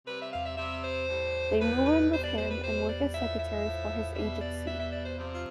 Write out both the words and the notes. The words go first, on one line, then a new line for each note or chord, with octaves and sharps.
They move in with him and work as secretaries for his agency.
C3 G3 B4
E5
F5
E5
C3 G3 E5
C5
A2 G3
A2 G3 B4
B4
B2 G3 C5
D5
C5
B4
B2 G3 C5
D5
A2 F3 E5
E5
A2 F3
B2 G3 E5
D5
B2 G3 E5
E5
D5
C5
C3 F3
F4